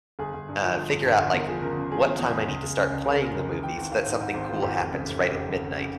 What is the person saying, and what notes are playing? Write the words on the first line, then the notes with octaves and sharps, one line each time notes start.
uh, figure out like what time I need to start playing the movie so that something cool happens right at midnight.
G1 G#4
G1
G2
F3
G1
G1
G2
G1
E2 A#4
F3 G#4
C#3 A#4
C#3
F3 G#4
E2
E2
E2
C#2
C#2
C#3
C#2
C#3 A#4
C#3
C#2 A#4
E3
E3 G5
G#1
G#1 F5
G#2
G#2
G#1 C5
E3 F4
G#1 G4
F1
C#3
F1
C#3
F1 G4
C#3
C#3
C#3